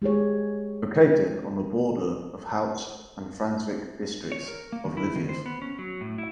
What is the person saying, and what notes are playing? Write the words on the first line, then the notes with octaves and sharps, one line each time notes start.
Located on the border of Halych and Frankivsk districts of Lviv.
G#3 G4 G#4 C#5
C#5
A#4
A#3
D#3
E4
D#3
C5
B3
C#4
F#3
A2
E4